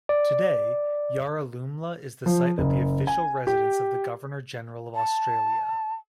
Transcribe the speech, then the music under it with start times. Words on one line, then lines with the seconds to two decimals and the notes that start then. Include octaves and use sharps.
Today, Yarralumla is the site of the official residence of the Governor-General of Australia.
0.09 D5
2.26 F3
2.58 F#1
3.07 G#5
3.47 G4
4.95 A5